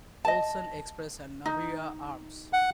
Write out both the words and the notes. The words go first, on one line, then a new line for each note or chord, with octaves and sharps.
Olsen Express and Naviera Armas.
D#5 A5
D#4
F#5